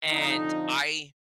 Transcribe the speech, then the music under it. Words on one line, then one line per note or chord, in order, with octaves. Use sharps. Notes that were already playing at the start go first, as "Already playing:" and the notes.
And I
F2 D3 F3 D#4